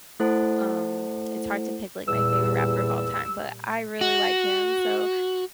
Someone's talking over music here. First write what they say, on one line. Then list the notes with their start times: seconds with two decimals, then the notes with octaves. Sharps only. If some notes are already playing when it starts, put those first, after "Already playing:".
Um, it's hard to pick, like, my favorite rapper of all time, but I really like him, so
0.20 A3 E4 A4 C5 F#5
2.07 E2 A#2 G3 E6
4.01 F#4